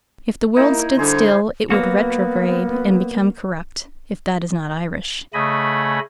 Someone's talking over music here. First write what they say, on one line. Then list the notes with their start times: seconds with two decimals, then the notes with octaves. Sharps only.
'If the world stood still, it would retrograde and become corrupt, if that is not Irish.
0.56 A#3 D#4 E4
0.97 D3 G3 G#4 C5
1.70 F#3 A#3 B3 F#4
5.33 C#3 A3 D#5 G#5 B5